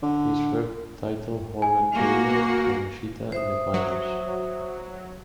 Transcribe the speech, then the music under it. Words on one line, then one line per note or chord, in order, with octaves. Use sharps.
He swept title holder Keigo Yamashita in the finals.
D3
G#5
A#3 F#4
C5 E5 D#6
F#3